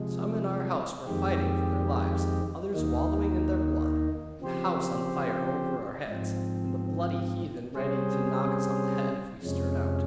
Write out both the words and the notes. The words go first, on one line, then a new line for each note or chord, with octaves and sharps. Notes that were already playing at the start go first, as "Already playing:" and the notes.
Some in our house were fighting for their lives, others wallowing in their blood, the house on fire over our heads, and the bloody heathen ready to knock us on the head, if we stirred out.
Already playing: C3 F3 G#3
F2 D#3 G#3 C4 G4
D#2 D#3 A#3 D#4
C#3 F3 C4 G4 C5
G#2 F3 C4
C3 G3 C#4 G#4 C5
F2 C3 F3 G#3 C#4